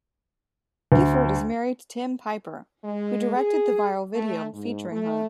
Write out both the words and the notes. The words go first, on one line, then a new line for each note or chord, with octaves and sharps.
Gifford is married to Tim Piper, who directed the viral video featuring her.
D2
G#3
G#4
A3
G#2
A3